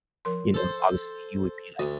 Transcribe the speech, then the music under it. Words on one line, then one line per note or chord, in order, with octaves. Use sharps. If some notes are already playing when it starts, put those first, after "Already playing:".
you know, obviously you would be, like,
F3 A#4 C6
A4 C5
D2 F#4